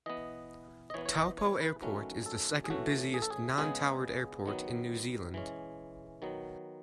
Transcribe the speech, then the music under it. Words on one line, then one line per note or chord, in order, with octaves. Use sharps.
Taupo Airport is the second-busiest non-towered airport in New Zealand.
E3 B3 D#5
D#5
E3 B3 C#5
C#5
D#5
C#5
B4
D#3 F#3 A3 C#4 B4
A4
G#4
A2 E3 A3 C#4 F#4
G#4
A4
G#4
C#3 G#3 B3 G#4
D#3 F#3 B3
E3 G#3 C#4
D#3 F#3 B3